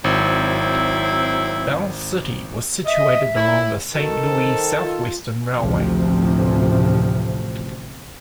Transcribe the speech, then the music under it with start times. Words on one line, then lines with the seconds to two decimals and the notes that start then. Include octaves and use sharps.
Bell City was situated along the Saint Louis Southwestern Railway.
0.04 G#1 F#3 C4 E4
2.86 D#5 E5
3.36 A2 E4
3.94 D#3 F#4 A4
4.27 C5
4.82 F4
5.58 A1 D2 C3 F3